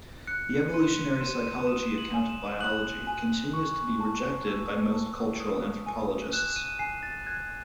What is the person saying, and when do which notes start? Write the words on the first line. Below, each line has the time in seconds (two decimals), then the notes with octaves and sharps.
The evolutionary psychology account of biology continues to be rejected by most cultural anthropologists.
0.27 F#6 C#7
0.74 C6 D#7
1.15 D#7
1.20 C6 E7
1.44 D#7
1.67 D#6 E7
1.98 F#7
2.14 G#5
2.29 E7
2.61 F#6 F#7
3.07 G#5
3.54 C#6
4.00 A5
4.47 E6
4.94 A5
5.40 D#6
5.86 G#5
6.33 F#6 E7
6.56 D#7
6.79 G#5 C7
7.03 A6
7.26 F#6 G#6